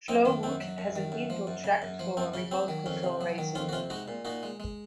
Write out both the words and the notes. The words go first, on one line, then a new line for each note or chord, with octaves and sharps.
Flowood has an indoor track for remote control racing.
F#2 C4 D#4
D#3 C#4
F#2 C4
F#3
F#2
D#3
F#2
F3
F#2
C#3
F#2
F3
F#2 C4
C#3 C#4
F#3 C4
D#3
F2 C#4
C3
F#3
D#3
F2 C#4 F4
F#4
C3 C#4 F4
G#3 D#4 F#4
A#2
A#2 D#4 F#4
G#3
G#3